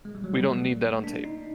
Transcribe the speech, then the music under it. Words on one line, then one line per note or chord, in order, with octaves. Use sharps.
We don't need that on tape!
G#3
G3
F#3
G3
A3
A#3
D4
D#4